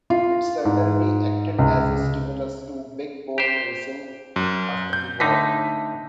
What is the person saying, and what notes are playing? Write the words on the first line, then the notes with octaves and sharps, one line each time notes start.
It certainly acted as a stimulus to big boat racing after the war.
F4
G#2
C#2
G4 C5
F#2
G6
A2 D3 D#4 B6